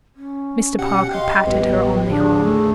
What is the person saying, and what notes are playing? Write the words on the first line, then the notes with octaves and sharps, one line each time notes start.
Mr. Parker patted her on the arm.
C#4
B2 G4 F#5 C#7
D#5 F5 C6
A1 D#2 A2 G3 B3 G4
D3 D4 G#4
A3